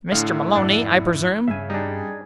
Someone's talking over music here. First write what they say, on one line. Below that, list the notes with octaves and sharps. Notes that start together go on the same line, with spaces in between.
"Mr. Maloney, I presume?"
A2 D3 E4 F5
F2 G#2 D4 F#5
G2 C#3 C#4 E5 F5 G#5
G3 D4 D#4 G#4